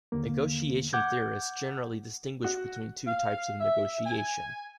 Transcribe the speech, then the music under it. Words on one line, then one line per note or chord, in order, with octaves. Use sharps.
Negotiation theorists generally distinguish between two types of negotiation.
D#2 D3 A#3
F#5 D6 G6 G#6
F#4
F5
E5
G#5